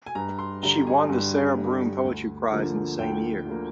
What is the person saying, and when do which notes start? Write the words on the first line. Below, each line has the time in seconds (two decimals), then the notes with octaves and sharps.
She won the Sarah Broom Poetry Prize in the same year.
0.06 G#5
0.15 G2 A#5
0.39 C6
0.63 D3 G3 A#5
0.87 G#5
1.10 G2
1.58 D3 G3
2.04 D2
2.52 D3 F3 A#3
2.99 D2 G5
3.46 D3 F3 A#3